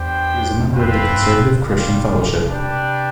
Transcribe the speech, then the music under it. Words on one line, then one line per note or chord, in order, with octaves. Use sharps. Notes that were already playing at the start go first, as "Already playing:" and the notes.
She is a member of the Conservative Christian Fellowship.
Already playing: E2 B3 D4 G4 C5 G5
F2 C4 F4 B4 E5
G2
B2
C3 G3 D4 F4
D4 G4 B4 D5 G5